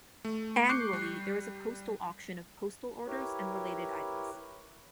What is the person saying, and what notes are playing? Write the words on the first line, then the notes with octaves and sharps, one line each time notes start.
Annually, there is a postal auction of postal orders and related items.
A3
C#6 D6 F#6 G6 C7 C#7
G3
E4 G4 A#4 B4 C#5